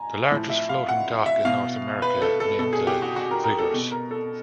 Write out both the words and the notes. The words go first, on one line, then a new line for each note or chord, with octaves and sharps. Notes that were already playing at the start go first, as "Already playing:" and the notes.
The largest floating-dock in North America named The Vigorous.
Already playing: G#5 A#5
A2 F3
E5
F5
F#5
E5
B2 F5
B4
A4
A4
B2 A4
G#4
G4
F#4
F#4
A#4
A#4
A4
B2
A#4
A4